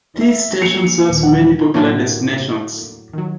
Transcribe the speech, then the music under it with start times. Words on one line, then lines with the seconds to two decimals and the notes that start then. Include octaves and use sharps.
This station serves many popular destinations.
0.21 E5 E6 B6
0.61 A#3 C#4 C7 C#7 F7
1.09 D#1
1.23 F3 G3 F#5
1.74 A2 D3 F#3 A3 A#3 C#4 D4
3.13 D#3 F#3